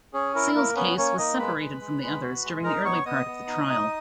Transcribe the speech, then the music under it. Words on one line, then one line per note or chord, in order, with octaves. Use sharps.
Seale's case was separated from the others during the early part of the trial.
C#4 G#4
E4 A#4
A#3 A#4
B3 C#4 B4
A#3 C#4 C#5
A#3 D#4 D#5
G#3 B4 B5
G#3
G#3
G#3
F#4
G#3
D#4 A#4 A#5
B3 C#5 C#6
B3 D#5 D#6
B3
D#4
D#4